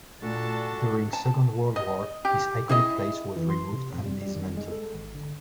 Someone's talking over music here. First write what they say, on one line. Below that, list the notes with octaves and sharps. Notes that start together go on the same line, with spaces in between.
During Second World War, this iconic place was removed and dismantled.
A#2 A3 D4 F#4 A4 A5
A5
D#5
G4
E4 G#4 D#5
E3
C6
C3
F2
G3
G3
D#3
G#3
A4
G#1
D3